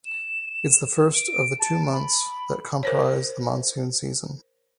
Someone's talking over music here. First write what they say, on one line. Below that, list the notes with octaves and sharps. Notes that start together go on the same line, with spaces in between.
It is the first of the two months that comprise the monsoon season.
E7
D7
A5
B5
A#4 C5 C#5